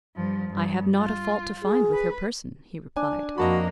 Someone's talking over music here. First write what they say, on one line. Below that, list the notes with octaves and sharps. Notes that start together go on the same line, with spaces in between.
"I have not a fault to find with her person," he replied.
G2 F3
G2
F4
G#4
B4
D4 G#5
F2 A#3 F#4 D#5 A5 B5